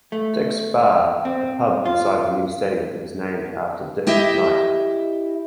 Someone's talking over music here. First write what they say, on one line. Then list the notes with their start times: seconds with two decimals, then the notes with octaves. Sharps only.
"Dick's Bar" a pub inside the new stadium is named after Dick Knight.
0.12 A3
1.25 C4
1.85 F4
4.07 E4 G4 D#5 E5